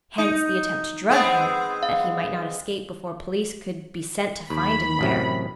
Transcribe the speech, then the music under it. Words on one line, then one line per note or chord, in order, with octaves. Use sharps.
Hence the attempt to drug him, that he might not escape before police could be sent to find him there.
D#4
G#3 B3 C4
F5
D#2 B5
A1 F#2 C3